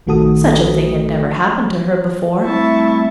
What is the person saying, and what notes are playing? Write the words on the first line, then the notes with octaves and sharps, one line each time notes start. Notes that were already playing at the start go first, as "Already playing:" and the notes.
Such a thing had never happened to her before.
A#1 D#3 A3 F#4 A4 D#6
G3 A3 C4 E4 E5 A5 C#6